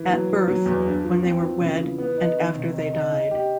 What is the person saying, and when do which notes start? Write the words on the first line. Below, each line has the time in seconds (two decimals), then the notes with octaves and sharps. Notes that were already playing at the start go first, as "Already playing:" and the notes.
At birth, when they were wed and after they died.
Already playing: E3
0.10 F#3
0.29 F#3
0.48 F#3
0.66 E2
0.86 G2
1.04 F3
1.23 C4
1.42 F3
1.61 C#3
1.79 E3
1.98 B3
2.18 D#4
2.36 D#3
2.55 C3
2.74 D#4
2.93 D#4
3.12 D#4
3.31 G4